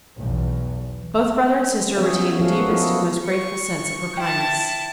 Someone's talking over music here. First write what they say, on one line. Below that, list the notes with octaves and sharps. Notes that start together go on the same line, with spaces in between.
Both brother and sister retained the deepest and most grateful sense of her kindness.
B1 E2
F3 B3 C#4 G#4 C#5 E5
F3 G#3 F#4 A4 F5
B3 A#4
E4 F#4 G#4 A4
C#6
E4 G5 A5